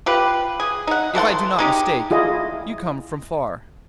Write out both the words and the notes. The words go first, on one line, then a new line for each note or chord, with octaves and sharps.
'If I do not mistake, you come from far.
F4 G4 B4
G#4
D#4 F#5
E3 A4 F#5 C6
G#3 D#4 G4
E4 F4 G#4 D#5